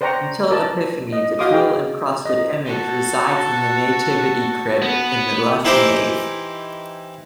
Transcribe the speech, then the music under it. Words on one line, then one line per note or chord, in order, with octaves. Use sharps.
Until Epiphany the jewel-encrusted image resides in the Nativity crib in the left nave.
B4 C5 D5 G5 A#5 C#6
A#4 D5 A5
D#5
F#4 D#5 F5 C6 D6 D#6
G#4 G5
D#5
F#4 A4
B3
E3 D#4 E4 G4 C5